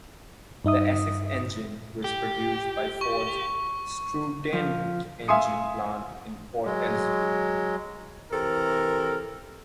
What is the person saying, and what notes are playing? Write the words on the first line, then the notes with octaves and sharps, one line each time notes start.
The Essex engine was produced at Ford's Struandale engine plant in Port Elizabeth.
G2 D#4 E5 D#6
G4
C#6
F3
E5 F5 G#5 C6 D#6 C#7
F#3 G#3
C3 E3 A4 A#4